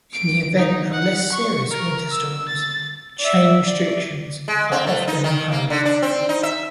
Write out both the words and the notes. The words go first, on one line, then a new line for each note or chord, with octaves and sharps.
In the event of less serious winter storms, chain restrictions are often imposed.
D7
D#4
F#5
C#6
A#4
E6
A6
D5 E5
D5
G#3
C4
A3
D#4
D#3
A#3
D3
D4
C4
D#4
E5